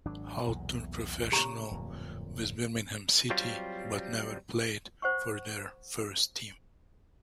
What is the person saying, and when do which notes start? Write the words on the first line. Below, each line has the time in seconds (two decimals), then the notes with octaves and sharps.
Hall turned professional with Birmingham City, but never played for their first team.
0.05 G#1 F#3 D4
0.47 B1 E2 A#2
1.32 A#2 C#3 G4 A#5 C#6
1.71 D1 F2 A#2
3.30 F#3 G3 C4 F4 G4
5.02 C5 F#5 C#6